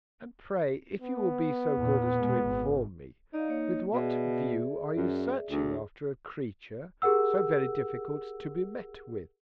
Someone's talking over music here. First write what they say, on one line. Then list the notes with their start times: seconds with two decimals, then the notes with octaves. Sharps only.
And pray, if you will be so good as to inform me, with what View, are you searching after a Creature so very difficult to be met with?
1.02 B3
1.78 E2 A#2
2.15 B2 G#3
2.45 G#1
3.33 D#4 D5 D#5 F5
3.48 A#3 C#5
3.93 B2 G#4 D5 E5
4.97 F#2
5.50 D2
7.02 G4 G#4 A#4 F#5 E6